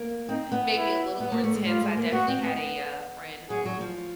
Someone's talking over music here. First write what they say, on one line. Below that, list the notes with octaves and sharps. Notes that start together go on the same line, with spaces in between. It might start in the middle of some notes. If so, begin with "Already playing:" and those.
maybe a little more intense, I definitely had a, uh, friend who
Already playing: A#3
C4 D#4
B3
E4
B3
A#3
A3
G#3
G3 F4
G#3
A#3
B3 F#4
C4
B3
F#3 G#4
F#3
F3